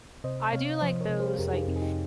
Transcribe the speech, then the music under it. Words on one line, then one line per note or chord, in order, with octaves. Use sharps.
I do like those, like,
C3 C5 D#5
C3 C#5 F5
F3 C5 D#5
A#4 C#5
C3
G#4 C5
F2 G4 A#4
G#4
D#4 G4
F2 C4 D#4
G#4
D#4 G4